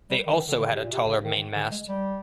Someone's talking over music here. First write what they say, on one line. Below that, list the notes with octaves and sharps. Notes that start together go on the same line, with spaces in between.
They also had a taller mainmast.
G3
D#3
D#3
D3
D3
C#3
C3
A#2
C3
C#3
D#3
D3
G#3
G3